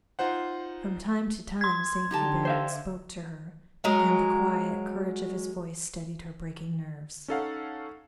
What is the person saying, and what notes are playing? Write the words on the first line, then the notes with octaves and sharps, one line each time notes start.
From time to time Saint Hubert spoke to her, and the quiet courage of his voice steadied her breaking nerves.
D#4 F4 C5 F#5
C6 G#6
D3 D#4 G4 A5
C5 E5 F5
F#3 G#3 A#4
C#4 D#4 A4 C#5 F5 F#5